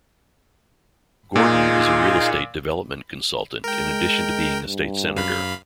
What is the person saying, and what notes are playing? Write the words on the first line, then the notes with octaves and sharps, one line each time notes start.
Gordon is a real estate development consultant in addition to being a state senator.
A#2 D#4 F4 G#4
G#3 A#4 G5
G2
F#2 F5 B5